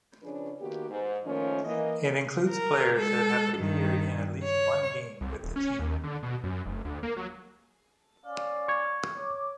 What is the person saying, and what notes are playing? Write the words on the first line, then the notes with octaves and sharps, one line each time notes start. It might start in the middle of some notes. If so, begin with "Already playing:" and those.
It includes players that have appeared in at least one game with the team.
C#3 F3 C#4 D4 G#4 B4
D#3 A#3 B3 F#4 G4
G#2
D#3 F3 A3 A#3 C#4
E3 A#3 D#5
A#4
G#3 A4
G2 D#3
C#5
C2
D#1
C#4
D#2
D3
B2
F#2
F1
D2
A#3
F#3
C#4 D5 F5
C#6 G#6
C#5 D6